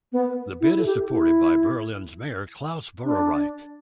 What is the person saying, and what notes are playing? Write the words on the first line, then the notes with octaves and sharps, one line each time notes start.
The bid is supported by Berlin's mayor Klaus Wowereit.
B3
E4
A4
G4
E4
D4